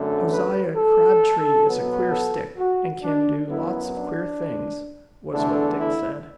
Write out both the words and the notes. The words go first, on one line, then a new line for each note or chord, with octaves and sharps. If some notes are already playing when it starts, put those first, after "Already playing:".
"Josiah Crabtree is a queer stick and can do lots of queer things," was what Dick said.
Already playing: F#2 D3 A3
B4
A4
B2 F#3 B3
A4
F#4
D4
F#2 F#3 B3 E4
D4
E2 D3 A3 D4
E4